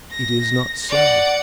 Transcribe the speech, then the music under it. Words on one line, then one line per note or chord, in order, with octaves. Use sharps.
It is not so.
A#6
D5 F#5